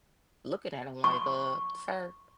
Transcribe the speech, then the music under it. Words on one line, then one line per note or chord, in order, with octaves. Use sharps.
looking at him, like, "Uh, sir,
C#6